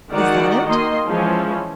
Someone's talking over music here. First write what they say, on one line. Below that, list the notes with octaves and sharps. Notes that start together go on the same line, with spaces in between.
Is that it?
D#3 G#3 F#4 D5 F#5
D#3 A#3 D#5 C6
E3 F3 G#3 C#4